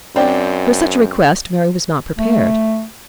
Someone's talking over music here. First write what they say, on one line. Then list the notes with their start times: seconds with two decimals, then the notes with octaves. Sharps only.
For such a request Mary was not prepared.
0.16 F#2 C4 D4 G5
2.19 A3